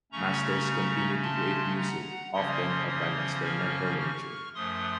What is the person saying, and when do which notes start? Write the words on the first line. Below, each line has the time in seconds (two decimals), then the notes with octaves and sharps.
Masters continues to create music, often of an experimental nature.
0.12 C#3 A3 C#4 A#5 C#6
1.23 A5 C6
1.77 F#5 A#5
2.33 C#3 F3 A#3 C#4 C6 D#6
2.88 C6 D#6
3.44 C#6 F6
3.99 C#6 F6
4.55 F#2 F3 A3 C6 D#6